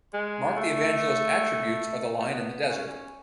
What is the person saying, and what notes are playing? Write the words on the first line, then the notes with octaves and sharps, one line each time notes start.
Mark the Evangelist attributes are the Lion in the desert.
G#3
A3
A3
B3
C#4